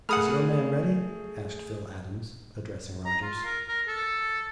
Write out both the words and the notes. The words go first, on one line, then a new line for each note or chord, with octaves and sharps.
"Is your man ready?" asked Phil Adams, addressing Rodgers.
A3 G#4 A#4 F#5 B5 D#6 F6
A#5
F4
A#4
A#4
A4